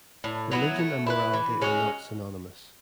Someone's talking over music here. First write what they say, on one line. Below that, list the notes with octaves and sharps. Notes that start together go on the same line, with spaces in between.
Religion and morality are not synonymous.
A2
F#3 B3 E4
A3
E4 G#4 B4
E3
G#3 C#4 F#4